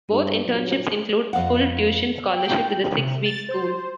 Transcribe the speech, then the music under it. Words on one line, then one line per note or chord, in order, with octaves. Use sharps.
Both internships include a full tuition scholarship to the Six Week school.
G2
G2 A#2 F#3
F2 F5 F#5
G5
C3
A6
C5